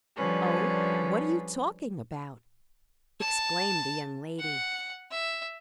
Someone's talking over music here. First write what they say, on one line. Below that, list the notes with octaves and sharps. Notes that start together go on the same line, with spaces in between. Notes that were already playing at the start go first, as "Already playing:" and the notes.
"Oh, what are you talking about?" exclaimed the young lady.
D3 F3 G3 C#4 G#4 B4
A5
F#5
E5